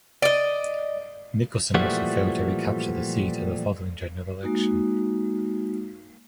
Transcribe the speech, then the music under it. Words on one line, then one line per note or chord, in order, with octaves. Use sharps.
Nicholson also failed to recapture the seat at the following general election.
D5 D#5
A#2 E3 F3 G3 A3 F#4
G#3 A#3 D#4 F#4